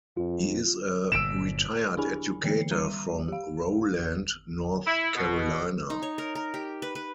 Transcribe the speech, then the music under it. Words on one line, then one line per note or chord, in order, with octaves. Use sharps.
He is a retired educator from Rowland, North Carolina.
F2 F4
G1 A#2 E6 D7 E7
D4 E4 G4 G#4 G#5 B5
D3 E3 A#3 C7 C#7
G3 A#5 D#7
G4 F5
E4
B2
D#4
C#5
A#4
A#4
G4
B4
B4